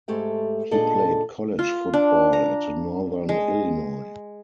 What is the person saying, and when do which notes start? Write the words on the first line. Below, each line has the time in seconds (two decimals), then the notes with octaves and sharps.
He played college football at Northern Illinois.
0.08 G#2 G#3 A3 G4 E5
0.71 A#2 D4 G#4 A4 D#5
1.59 F4
1.93 D4
2.33 A#5
3.29 G#3